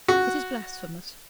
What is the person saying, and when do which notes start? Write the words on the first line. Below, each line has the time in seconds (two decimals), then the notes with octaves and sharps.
It is blasphemous.
0.08 F#4